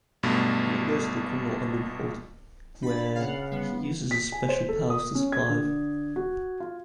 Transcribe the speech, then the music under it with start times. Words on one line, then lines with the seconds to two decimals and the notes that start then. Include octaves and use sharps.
Ian goes to the criminal underworld where he uses his special powers to survive.
0.23 B1 G2 B2 A3
2.82 D4 B5 A6
3.15 C#3 F5 F#5
3.51 D3 G3 B3 C7
4.11 B6
4.32 G#5
4.49 C5
4.69 A4
4.90 D#6
5.15 C#4
5.32 G#6
5.49 D3
6.16 F#4
6.60 F4